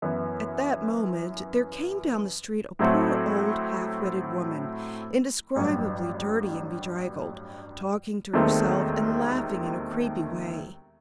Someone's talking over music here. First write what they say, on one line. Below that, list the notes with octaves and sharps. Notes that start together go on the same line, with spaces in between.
At that moment there came down the street a poor old half-witted woman, indescribably dirty and bedraggled, talking to herself and laughing in a creepy way.
F#2 E3 B3 E4
A2 F#3 A3 C4 F#4
A1 G2 F#3
E1 D#2 D#3 A3 C4